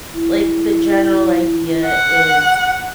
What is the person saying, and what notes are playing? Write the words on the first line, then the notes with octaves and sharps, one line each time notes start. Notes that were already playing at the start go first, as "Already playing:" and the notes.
like, the general idea is
E4
F#5